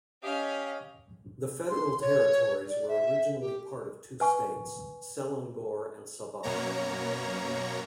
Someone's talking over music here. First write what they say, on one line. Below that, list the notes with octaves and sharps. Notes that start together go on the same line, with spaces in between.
The federal territories were originally part of two states - Selangor and Sabah.
C#4 G4 D#5 F5
C6
C#5
D5
E5
G4
B4 G#5 C#6
F#2 B2 A#3 C#5 A#5